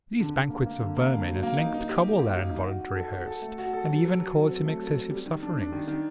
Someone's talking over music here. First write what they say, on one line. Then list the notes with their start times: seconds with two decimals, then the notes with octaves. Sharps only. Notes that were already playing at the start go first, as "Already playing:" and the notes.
These banquets of vermin at length trouble their involuntary host and even cause him excessive sufferings.
0.20 D3
0.34 D3
0.50 A#3
0.66 A#3
0.81 D3
0.97 A#3
1.12 D3
1.28 F#3
1.43 A#3
1.58 D#4
1.74 D#4
1.89 G4
2.04 F#3
2.19 G4
2.35 G4
2.51 D#4
2.65 F#4
2.80 F#4
2.96 A4
3.12 F#4
3.27 A4
3.42 A3
3.58 F#4
3.73 A4
3.89 F#3
4.04 F#3
4.19 F#3
4.35 F#3
4.49 C4
4.65 A3
4.80 F#3
4.96 C4
5.11 G3
5.26 D#3
5.42 D4
5.57 D4
5.72 D#3
5.87 D#3